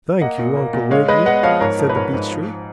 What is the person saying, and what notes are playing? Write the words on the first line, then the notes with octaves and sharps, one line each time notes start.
"Thank you, Uncle Wiggily," said the beech tree.
A#3 D#5 F#5
A#2
A#3
A#2
G#3 C#5 F5
G#3 B4 D#5
B3 D#5 F#5
F3 C#5 F5
G#2 A#4 C#5
F3
B4
G#2 A#4 C#5
G#2
F3